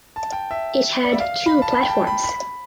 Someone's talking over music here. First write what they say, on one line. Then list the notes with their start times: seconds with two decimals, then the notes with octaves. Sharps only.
It had two platforms.
0.16 A5
0.33 G5
0.51 E5
1.04 D5
1.12 E5
1.20 F5
1.46 B5
1.62 A5
1.72 B5
1.83 G5
1.89 A5
2.07 B5
2.24 B5